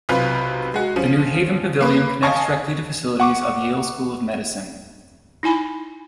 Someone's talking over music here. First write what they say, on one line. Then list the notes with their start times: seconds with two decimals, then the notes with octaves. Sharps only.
The New Haven Pavilion connects directly to facilities of Yale School of Medicine.
0.09 B1 C3 F4 B4
0.74 G#3 F#4
0.96 F3 C#4
1.81 A#3 B4
2.23 D#5 F5 G#5 A5 C#6
3.20 F#5 C#6 D6
5.43 D#4 E4 G#5 B5